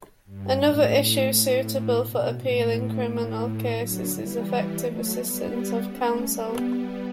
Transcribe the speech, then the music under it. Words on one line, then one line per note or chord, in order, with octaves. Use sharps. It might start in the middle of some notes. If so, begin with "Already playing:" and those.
Another issue suitable for appeal in criminal cases is effective assistance of counsel.
G2
A2
A2
A2
B2
A2
A2
D3 F#3
E3 G3
F#3 A3
G3 B3
A3 C#4
G3 B3